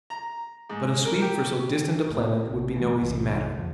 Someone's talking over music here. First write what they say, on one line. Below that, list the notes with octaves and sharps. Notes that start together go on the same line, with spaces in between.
But a sweep for so distant a planet would be no easy matter.
A#5
G#2
A#4
G4
A2
A#1 C3
F#1 B2 E3 A3
B1 F#2 C3 E3
E2 D3 F3